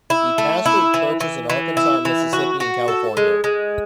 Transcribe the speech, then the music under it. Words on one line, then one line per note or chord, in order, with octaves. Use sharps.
He pastored churches in Arkansas, Mississippi, and California.
E4
A3
E4
E3
E3
E3
E4
E3
F#4
F#4
A4
G#3
G#3